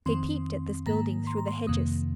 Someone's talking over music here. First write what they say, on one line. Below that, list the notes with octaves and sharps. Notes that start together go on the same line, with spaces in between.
They peeped at this building through the hedges.
F2 D#3 C4 C6
G#2 D#3 A#3 A#5
C6
A#5
C6
F2 C3 D#3 A#3 D#6